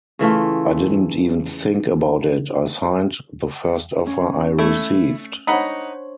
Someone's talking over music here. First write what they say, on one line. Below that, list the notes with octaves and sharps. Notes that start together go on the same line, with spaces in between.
I didn't even think about it, I signed the first offer I received.
C#3 E3 A3 F4
C#4
A3 E4
D4 D#4 C5 C#5 F#5 B5